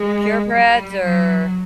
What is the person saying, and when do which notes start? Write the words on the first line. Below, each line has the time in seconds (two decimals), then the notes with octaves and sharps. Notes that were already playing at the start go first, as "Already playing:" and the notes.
purebreds or
Already playing: G#3
0.51 G3
1.04 F#3